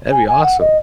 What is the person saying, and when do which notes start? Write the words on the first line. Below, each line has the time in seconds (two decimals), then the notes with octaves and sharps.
That'd be awesome.
0.11 G#5
0.27 G#5
0.43 F#5
0.60 D#5